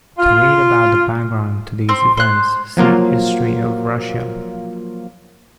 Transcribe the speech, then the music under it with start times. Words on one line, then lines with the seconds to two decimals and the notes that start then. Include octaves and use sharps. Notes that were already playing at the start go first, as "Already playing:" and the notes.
To read about the background to these events, see History of Russia.
0.18 F4
1.89 C4
2.17 C5 F#6
2.77 F3 F#3 A#3 F4